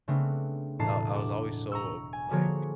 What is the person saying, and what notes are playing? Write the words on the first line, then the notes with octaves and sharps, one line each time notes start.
I I was always so ob like
C#3 A3 B3 C4 D4
E1 A2 D4 A5 A#5 C7
F#5 D6
A#5 C#6 E6
G#5
D3 F3 A#3 F#4 G#4 C#5